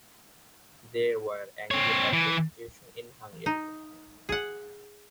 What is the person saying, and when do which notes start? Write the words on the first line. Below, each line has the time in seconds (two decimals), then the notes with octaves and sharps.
They were angry at the situation in Hungary.
1.71 C4 C#5
2.13 E3
3.46 D#4
4.29 G#4 F#5